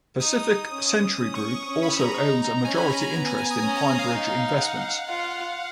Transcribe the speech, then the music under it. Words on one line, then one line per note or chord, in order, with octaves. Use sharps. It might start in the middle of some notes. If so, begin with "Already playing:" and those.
Pacific Century Group also owns a majority interest in PineBridge Investments.
D#4 D#6
C#4
C#4 D#6
C#6
C#6
C#4
B5
A#5
D#4
C#4 G#5
B5
A#5
G#5
B3 A#5
G#5
G#5
D#6
C#4
A#5
G#5
F5
D#4 F5
F#5
F4